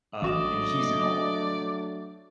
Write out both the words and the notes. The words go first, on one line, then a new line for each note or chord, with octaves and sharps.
uh, and he's in all of them.
A1 F#3 A3 D4 F#4 D5 D#5 E7